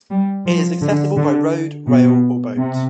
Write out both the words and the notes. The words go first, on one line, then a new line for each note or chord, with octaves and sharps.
It is accessible by road, rail or boat.
G3
F3
D3
D3
B2
C3